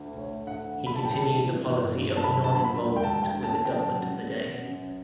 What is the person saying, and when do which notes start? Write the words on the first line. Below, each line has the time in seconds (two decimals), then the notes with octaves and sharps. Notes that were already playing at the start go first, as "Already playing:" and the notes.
He continued the policy of non-involvement with the government of the day.
Already playing: D2
0.17 A3 C#5
0.47 D2 F#5
0.77 D3
0.86 B5
0.95 A5
1.05 G3 G5
1.14 A5
1.35 E3
1.65 G1
1.95 G2
2.16 A5
2.24 F#3 B5
2.44 A5
2.54 D3
2.64 B5
2.83 E1
2.96 G5
3.03 A5
3.13 D2
3.23 G5
3.43 C#4 A5
3.65 G5
3.72 F#3 A5
4.02 C#2
4.31 B2
4.62 F#2